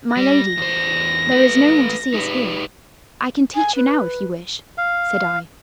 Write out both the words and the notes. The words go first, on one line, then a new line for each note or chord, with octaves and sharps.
"My lady, there is no one to see us here; I can teach you now, if you wish," said I.
G3 A#6
E2 C5
A3 B4
D#4 G4 B4
G#5
B4
F5